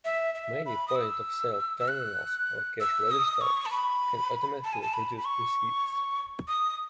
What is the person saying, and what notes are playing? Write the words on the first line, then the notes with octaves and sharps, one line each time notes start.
Many point-of-sale terminals or cash registers can automatically produce receipts.
E5
E5
B5
D#6
E6
E6
F#6
E6
D#6
C#6
A5
B5
A5
G#5
A5
B5
B5
C#6
D#6